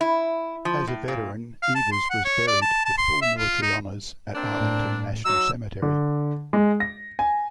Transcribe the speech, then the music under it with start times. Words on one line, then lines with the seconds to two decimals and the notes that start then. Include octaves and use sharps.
As a veteran, Evers was buried with full military honors at Arlington National Cemetery.
0.01 E4
0.65 F3
0.87 A2
1.08 A#2
1.62 F5
1.75 A5
1.92 C6
2.10 F#5
2.25 C#5
2.47 D5
2.62 A5
2.85 A5
2.98 C6
3.22 E5
3.38 F4
3.62 D#4
4.35 A#3 C4 D4
4.61 A2
5.25 F#3 D#4 E6
5.82 D3
6.53 G#3
6.80 A#6
7.19 G#5